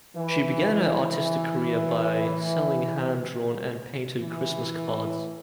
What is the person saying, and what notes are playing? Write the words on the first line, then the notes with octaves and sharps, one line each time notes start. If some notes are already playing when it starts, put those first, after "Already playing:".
She began her artistic career by selling hand-drawn and painted Christmas cards.
E3
E3
E3